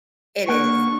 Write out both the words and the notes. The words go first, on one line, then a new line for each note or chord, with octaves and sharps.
It is.
A#3 D4 F#5 C#6